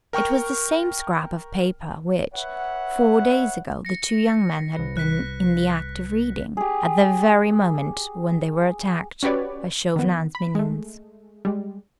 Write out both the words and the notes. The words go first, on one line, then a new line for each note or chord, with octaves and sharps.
It was the same scrap of paper which, four days ago, the two young men had been in the act of reading, at the very moment when they were attacked by Chauvelin's minions.
A#4 G5 C#6 F6
B4 C#5 E5 F#5
A#6 C#7
C2 B4
F#6 B6
G4 G#4
C#4 F#4 G4 B4 C#5 D5
D#3 B3
B5
G#3 A3
G3 G#3